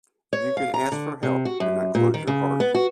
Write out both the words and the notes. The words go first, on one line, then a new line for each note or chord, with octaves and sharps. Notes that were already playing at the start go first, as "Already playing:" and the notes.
You can ask for help and not close your heart.
C#5
F5
A#5
D3
C3
F#4
F#2
A#2
D#3
C#3
B3
F#4